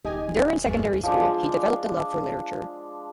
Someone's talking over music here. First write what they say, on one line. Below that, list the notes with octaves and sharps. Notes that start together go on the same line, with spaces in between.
During secondary school, he developed a love for literature.
D1 D#4 G4 D#5 G#5
G#1 E2 G#3 A3
F3 G#3 D4